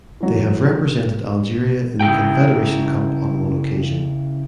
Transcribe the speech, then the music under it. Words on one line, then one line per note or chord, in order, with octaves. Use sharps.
They have represented Algeria in the Confederation Cup on one occasion.
E3 F#3
C#3 E4 G5